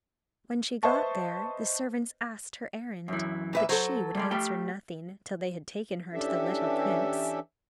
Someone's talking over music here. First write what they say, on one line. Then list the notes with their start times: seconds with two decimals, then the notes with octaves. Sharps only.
When she got there the servants asked her errand but she would answer nothing till they had taken her to the little prince.
0.83 B4 C5 D#5 E5 A5 C#6
3.08 F#2 E3
3.53 A#2 B4 E5
3.69 F#3 A4 C5
4.15 G3 G#3 D5
4.31 A3 G4 G5
6.14 E3 C#4 D4 G4 A4 E5